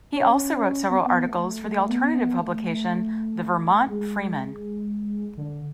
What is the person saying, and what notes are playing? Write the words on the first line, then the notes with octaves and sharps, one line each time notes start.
He also wrote several articles for the alternative publication "The Vermont Freeman".
C#4
B3
C#4
B3
A3
A3
B3
B3
A3
G#3
D3